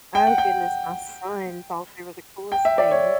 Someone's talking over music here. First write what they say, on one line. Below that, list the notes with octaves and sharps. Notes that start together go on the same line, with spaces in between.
Oh, goodness, my son thought they were the coolest things.
G5
F#5
G5
G5
E5
D5
C#5